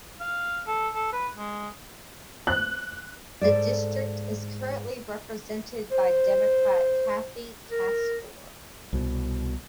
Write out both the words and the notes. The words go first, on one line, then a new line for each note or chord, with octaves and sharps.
The district is currently represented by Democrat Kathy Castor.
F5
A4
A4
B4
G#3
F#6
G#2 B2 A4 D5
C5
A#4
C2 B2